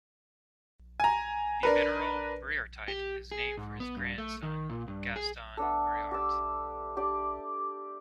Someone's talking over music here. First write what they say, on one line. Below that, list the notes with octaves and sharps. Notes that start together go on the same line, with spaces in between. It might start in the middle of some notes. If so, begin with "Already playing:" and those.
The mineral Briartite is named for his grandson, Gaston Briart.
G#5 A#5
D4 A#4 B4
G4
G#4
G#2
B3
G2
A3
D#3
A#2
G2
G#4
A3 B3 D4 A4
G4 D6 E6
D4 G4 D5